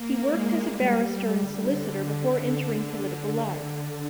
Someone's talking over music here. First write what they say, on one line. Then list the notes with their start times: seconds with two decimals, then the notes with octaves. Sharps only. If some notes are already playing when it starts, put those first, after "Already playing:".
He worked as a barrister and solicitor before entering political life.
Already playing: A#3
0.20 G#3
0.60 G3
1.40 D3